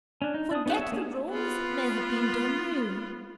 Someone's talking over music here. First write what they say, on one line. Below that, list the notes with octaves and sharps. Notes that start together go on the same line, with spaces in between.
Forget the wrongs that may have been done you.
C#4 D4
D#4
D4 D#6
B3 C#4 D#4 G4 F#5
C#5 E5
A#3 C#4 D4 G#4
B3 F4